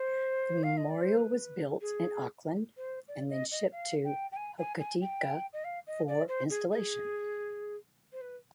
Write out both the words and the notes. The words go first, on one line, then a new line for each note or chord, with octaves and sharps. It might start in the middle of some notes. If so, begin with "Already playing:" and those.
The memorial was built in Auckland and then shipped to Hokitika for installation.
Already playing: C5
F5
D#5
D5
C5
B4
G#4
C5
D5
D#5
D#5
F5
G5
G5
G#5
G#5
G#5
G5
D#5
F5
D#5
D5
C5
G#4
G#4
C5
B4